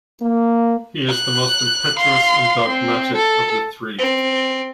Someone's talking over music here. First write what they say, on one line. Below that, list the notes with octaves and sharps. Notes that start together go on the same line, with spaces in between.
He is the most impetuous and dogmatic of the three.
A#3
F#6
F5 C6
C4
A4
C4